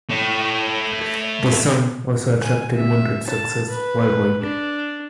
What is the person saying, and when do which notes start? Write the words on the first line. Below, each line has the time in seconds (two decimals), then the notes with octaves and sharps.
The song also attracted moderate success worldwide.
0.10 A3 C#5
2.42 G#5
2.77 E5
3.27 A5
3.68 B4
4.41 D4